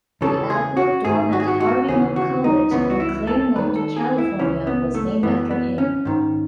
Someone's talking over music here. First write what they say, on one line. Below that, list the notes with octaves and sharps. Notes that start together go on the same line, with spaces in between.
The Atwood Dorm at Harvey Mudd College in Claremont, California, was named after him.
E2 C#3 E3 A4
G#4
F#4
G#2 D#3 G#4
F#4
G#4
F#4
F#4
D#2 C#3 E3 G#4
F#4
D#4
C#2 C#3 E3 B3
F#4
E4
A4
D#2 D#3 B4
A4
G#4
E4
C#2 C#3 E3 C#4
B3
A3
F#2 E3 B3
B3
C#4
G#2 D#3